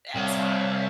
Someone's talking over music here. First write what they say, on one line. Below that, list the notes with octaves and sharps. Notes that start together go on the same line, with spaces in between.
That's hard.
C2 C#5 E5 F5